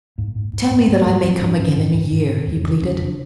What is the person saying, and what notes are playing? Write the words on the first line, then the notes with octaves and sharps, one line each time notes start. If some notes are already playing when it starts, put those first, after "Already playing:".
"Tell me that I may come again,--in a year," he pleaded.
G#2 A#3
G#2
G#2
G#2 B3
G#2
G#2
G#2 C4
G#2 D4
G#2 C#4
G#2
G#2
G#2
C#3
F2
C#3
F2 C#4
C#3 D4